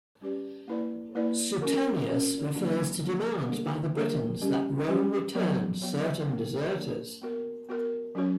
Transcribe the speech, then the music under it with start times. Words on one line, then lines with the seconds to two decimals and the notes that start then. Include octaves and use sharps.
Suetonius refers to demands by the Britons that Rome return "certain deserters".
0.21 G3 C#4 G4 B4 D5
0.68 A#3 E4 B4 D5
1.15 A#3 E4 B4 D5
1.62 C#4 F#4 A#4
2.09 C#4 F#4 A#4
2.55 D3 F#3 A#3 D4 F#4
3.02 D3 F#3 A#3 D4 F#4
3.48 D3 G3 A#3 D4 A#4
3.95 D3 G3 A#3 D4 A#4
4.41 G3 C#4 G4
4.88 G3 C#4 G4
5.35 F#3 B3 F#4 C#5
5.82 F#3 B3 F#4 C#5
6.29 A#3 D4 A#4 C#5
6.75 A#3 D4 A#4 C#5
7.22 B3 F#4 A#4
7.69 B3 F#4 A#4
8.15 F#3 C#4 F#4 C#5